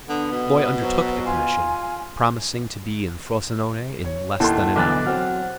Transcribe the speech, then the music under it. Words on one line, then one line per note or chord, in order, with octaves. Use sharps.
The boy undertook the commission, promising to be in Frosinone in less than an hour.
D3 B3
B2
F#3 C5
F4 G#5
C#5
D#2 E4 A4 F#5 A5 C6
B1 D3 E3 D6 F#6 A6
F#3 C4 F#5 F6